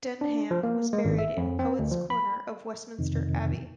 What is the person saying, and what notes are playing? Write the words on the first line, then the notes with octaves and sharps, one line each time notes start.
Denham was buried in Poets' Corner of Westminster Abbey.
D4
F3
A#3
G#3
G#1
E5
F2
C4
D2
F3
B5
F2 C3 D#3